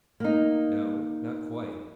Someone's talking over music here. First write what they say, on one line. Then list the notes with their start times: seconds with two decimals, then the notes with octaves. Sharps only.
"No; not quite."
0.20 A#3 D#4